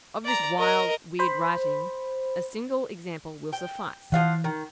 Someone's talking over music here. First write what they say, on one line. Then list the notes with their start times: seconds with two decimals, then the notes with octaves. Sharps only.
Of this wild weird writing, a single example will suffice.
0.24 D5 A#5
0.58 A#4 D#5
1.19 C5 B5
3.53 G5
4.12 E3 F3 F5 F#5
4.44 D#3